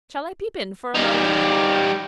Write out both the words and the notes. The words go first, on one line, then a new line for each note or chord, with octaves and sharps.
"Shall I peep in for a moment?"
G3 D#4